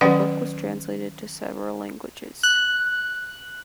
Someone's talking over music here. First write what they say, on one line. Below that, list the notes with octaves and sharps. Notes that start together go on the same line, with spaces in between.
The book was translated to several languages.
D#3 F#3 C#4 D5 F#5 G5
F#6